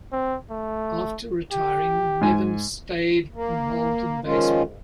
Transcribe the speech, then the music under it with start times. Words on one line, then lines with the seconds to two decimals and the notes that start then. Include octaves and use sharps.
After retiring, Nevin stayed involved in baseball.
0.12 C4
0.50 A3
1.52 G4
2.21 G#2 G#5
3.34 A#3
4.25 D#3 F3 G#3 C#4 F4